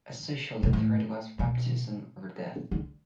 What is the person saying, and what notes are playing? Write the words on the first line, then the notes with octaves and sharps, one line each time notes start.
As usual the threat was baptism or death.
B2
A2
B2
D3